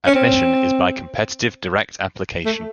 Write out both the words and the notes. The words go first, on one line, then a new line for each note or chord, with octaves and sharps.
Admission is by competitive direct application.
C#4
C4
A3